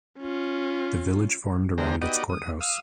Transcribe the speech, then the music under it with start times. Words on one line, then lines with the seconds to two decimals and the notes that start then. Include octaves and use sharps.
The village formed around its courthouse.
0.19 C#4 F4
1.78 D2 D3 G#3 G4 C5 A#5
2.01 B3 D#4 F#4 G4 D5 D#5
2.29 D#6
2.61 F5 D#6 E6